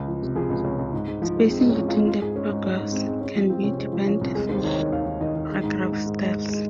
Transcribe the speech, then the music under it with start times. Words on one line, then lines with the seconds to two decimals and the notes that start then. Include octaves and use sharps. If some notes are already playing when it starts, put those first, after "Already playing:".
Spacing between the paragraphs can be defined through paragraph styles.
Already playing: C#2
0.08 F3
0.22 C3
0.35 F3 G#4
0.50 C#2
0.64 C#2 C#4
0.79 C#2
0.93 G#2
1.08 G#2
1.22 F3
1.36 G#3
1.50 G#3 C4
1.60 D#4
1.64 G#2 C#4
1.79 F3
1.88 F4
1.93 G#3
2.07 G#3 F4
2.22 G#2 G#4
2.35 G#3 C#4
2.50 G#2 D#4
2.64 G#2 C#4
2.78 G#2
2.92 G#3 C4
3.07 G#3
3.21 G#3 C#4
3.35 F3 C4
3.50 F3 C4
3.63 C3 C#4
3.78 G#3 C4
3.93 F3
4.06 F3 C#4
4.21 C2
4.35 G#3 G#4
4.49 D#2 C5
4.63 D#3 C#5
4.78 D#3 D#5
4.92 D#2 F5
5.06 D#3
5.21 D#3 D#5
5.35 D#3
5.49 G#3
5.64 G#2
5.78 G#3
5.92 G#2
6.07 G#2
6.21 G#3
6.35 G#3
6.48 G#3